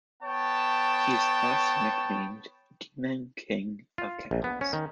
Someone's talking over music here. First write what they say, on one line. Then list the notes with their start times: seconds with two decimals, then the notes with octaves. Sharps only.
He is thus nicknamed "Demon King of Chaos".
0.22 B3 C#5 G5 A5
3.98 F4
4.31 A#1
4.44 B3
4.61 C#4
4.73 D#3